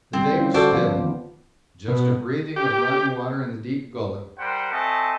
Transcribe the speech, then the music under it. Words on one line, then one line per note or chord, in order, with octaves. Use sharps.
The day was still--just a breathing of running water in the deep gully.
D3 G3 C4
C#4 F4 C5
D3 F#4 A4 C5 D5
F3 B3 F4
D#3 B3 C4
B2
G4
G3 A#4 C5 F#5 G5
A3 C4 D#5 G#5 A5